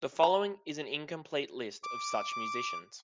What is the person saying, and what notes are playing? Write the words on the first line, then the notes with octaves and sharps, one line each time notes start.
The following is an incomplete list of such musicians.
A#5
D6
D6